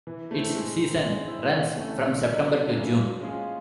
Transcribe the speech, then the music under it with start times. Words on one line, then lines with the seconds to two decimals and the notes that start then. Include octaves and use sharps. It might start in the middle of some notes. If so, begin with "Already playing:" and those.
Its season runs from September to June.
0.07 E3
0.31 A3 C4 E4
0.56 G#3
0.80 C4 D#4
1.03 G#3
1.27 C4 E4
1.51 C3
1.76 E3 A3 C#4
2.01 D#3
2.25 F#3 B3
2.49 D3
2.73 F#3 A#3 C#4 E4
2.96 F3
3.20 G#3 C#4 F4 G#4